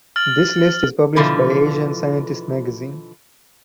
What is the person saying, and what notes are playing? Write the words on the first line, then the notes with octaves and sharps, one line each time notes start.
This list is published by Asian Scientist Magazine.
F6 A6 F#7
B2 D3 E3 F3